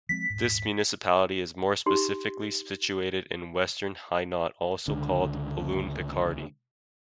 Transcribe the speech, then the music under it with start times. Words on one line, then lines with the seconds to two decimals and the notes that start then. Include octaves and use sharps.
This municipality is more specifically situated in Western Hainaut, also called Walloon Picardy.
0.09 F3 G#3 C4 B6
0.30 D#1 G#2
1.86 D#4 G4 C6
4.88 C#2 D3